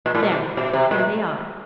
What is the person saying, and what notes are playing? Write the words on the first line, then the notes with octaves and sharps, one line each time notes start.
There now, here they are.
A#2
A2
A#2
B2
B2
C3
A#2